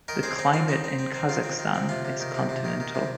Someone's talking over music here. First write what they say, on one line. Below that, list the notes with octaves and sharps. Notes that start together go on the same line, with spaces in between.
The Climate in Kazakhstan is continental.
D#3 A#4 D#5
C4 G#4 C5
C4 D#4
C4 F4
C4 D#4
C4
C4
C4
D#3 F4
C4
D#3
C4
C3 F4
C3
D#3
C3
C3
D#3
D#3
C3